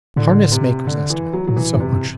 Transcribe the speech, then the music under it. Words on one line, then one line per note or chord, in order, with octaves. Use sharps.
Harness-maker's estimate, so much.
A2 D3
C3
D3
E3
F#3
A2 F#3
B2 E3
G2
C3
F#2